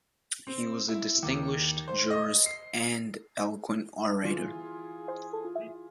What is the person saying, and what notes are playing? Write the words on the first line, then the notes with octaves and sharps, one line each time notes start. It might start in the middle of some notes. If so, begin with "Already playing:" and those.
He was a distinguished jurist and eloquent orator.
C4
E4
D#2
C5
D#5
C7
E3 F4 G#4